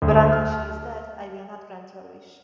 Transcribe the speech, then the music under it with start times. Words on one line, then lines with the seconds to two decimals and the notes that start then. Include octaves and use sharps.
But until she is dead I will not grant your wish.
0.02 D2
0.32 F6